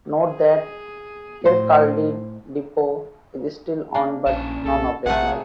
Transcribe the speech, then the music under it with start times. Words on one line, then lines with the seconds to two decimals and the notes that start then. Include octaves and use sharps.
Note that Kirkcaldy depot is still owned but non-operational.
0.24 G#4
1.45 A2 C5
3.94 A#3 D4
4.27 A#1 A#2 C#4 A5
4.65 B1 A4
5.06 A#1 C3 A3 G#4 A#4 F#5 G#5